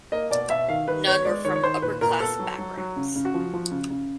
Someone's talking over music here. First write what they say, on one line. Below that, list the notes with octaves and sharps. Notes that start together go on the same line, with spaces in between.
None were from upper class backgrounds.
A#3 D#5
B2 D5
B2 E5
D#3 F5
D#3 B4
B3 C#5
G#3 D5
D#3 C#5
C#5
D#3 C5
A#2 B4
A#2 A#4
B3 A4
F#3
F#3
F#3
C#3
C#3
F#4
F3
F3
C#3
C#3